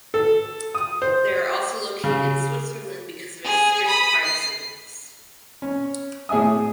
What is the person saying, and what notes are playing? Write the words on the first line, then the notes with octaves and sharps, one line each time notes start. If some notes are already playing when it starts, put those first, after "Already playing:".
They are also located in Switzerland because of its strict privacy laws.
A4
D#6
C5
C#3
G#4
B5 D#6
C7
C#4
A2 G#4 E5 G#5 D#6